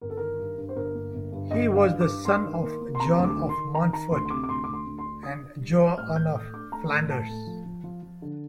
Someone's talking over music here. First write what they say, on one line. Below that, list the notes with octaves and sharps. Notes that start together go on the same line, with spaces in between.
He was the son of John of Montfort and Joanna of Flanders.
G1 A#4
A4
D#3 A#4
G2
G2
C5
G1 A#4
A#3
G1
G2
G1 D#5
G2
F5
G2
D6
G2
G2 C6
D#3
A#3
A#3
C6
C3 A#5
D2
D6
D#3
C6
D#3
D#3 A#5
D#3 A#5
D2 C6
C6
C3 D6
D6
D2 C6
D2 D6
C6
D2
C6
D4
D4 D#6
D4
G3
G3
A2 F6
A2 G6
A3 D#6
D4 D6
A3 A#5
A2
A2 A5
A3
F3
F3
F3
F3
D3